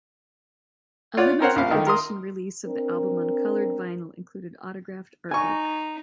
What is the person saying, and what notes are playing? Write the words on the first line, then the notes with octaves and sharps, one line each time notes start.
A limited edition release of the album on colored vinyl included autographed artwork.
F4 C#5 D5 F#5
C4 C#4 A#4 C5 C#5 F#5
A#1 F5
D3 D#3
A#4 C6 D#6
C4 D4 A#4
D#4 G#5 C#6